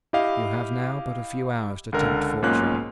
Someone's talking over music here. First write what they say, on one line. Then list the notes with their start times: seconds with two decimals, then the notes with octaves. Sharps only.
You have now but a few hours to tempt fortune.
0.13 E4 G4 D#5 F5
1.93 C#2 D3 A#4
2.42 B1 G#2 A#3 C#4 F4 F#6